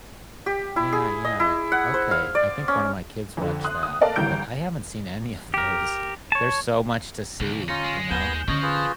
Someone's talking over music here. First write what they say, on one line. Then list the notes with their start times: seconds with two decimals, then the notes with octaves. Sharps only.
Yeah, yeah, okay, I think one of my kids watched that, but I haven't seen any of those. There's so much to see, you know?
0.46 G4
0.76 E4
0.92 G#4
1.25 D#5
1.40 E4
1.72 F#5
1.94 C5
2.11 F5
2.35 D5
2.68 C#4
3.37 F2 D3
3.64 C6 D#6 F#6
3.83 D#6
4.01 A4 A#4 D5 D#5 F5 A5
4.16 G#1 D2 E3 G3 G6 D7
5.54 G4 A#4
6.32 C#5 A5
7.40 B1 D3
7.68 C#4 D#4 F4 C#7
7.84 G#3
8.11 D#2 B3 G#5 G6 E7 G7
8.48 D3 F3 C#4 D#5 C#6 G#6 A#6
8.62 F4 G#4 B4